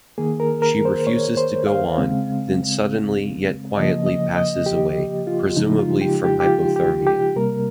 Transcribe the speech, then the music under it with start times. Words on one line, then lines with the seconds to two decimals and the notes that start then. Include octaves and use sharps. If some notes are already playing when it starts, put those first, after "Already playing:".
She refuses to go on, then suddenly yet quietly passes away, presumably from hypothermia.
0.18 D#3 A#3 G#4
0.40 A#4
0.62 A#4
0.85 C5
1.07 C#5
1.37 C5
1.67 F5
1.98 C#3 G#3 C4
3.77 C#3 F3 A#3 D#5
4.06 D#5
4.36 D#5
4.66 G4
5.27 F4
5.57 C#3 F3 G#3 D#4
5.79 F4
6.01 G4
6.24 G4
6.40 G4
6.47 F4
6.76 G4
7.07 G4
7.36 C3 G3 A#3 A#4